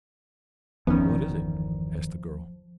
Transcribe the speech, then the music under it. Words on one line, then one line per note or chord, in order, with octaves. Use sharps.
"What is it?" asked the girl.
G1 E2 D#3 F3 B3 C#4